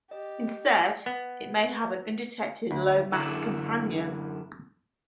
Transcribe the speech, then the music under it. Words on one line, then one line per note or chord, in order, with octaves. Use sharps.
Instead, it may have an undetected lower mass companion.
G4 D#5
B3
D2
F#2 D3 E4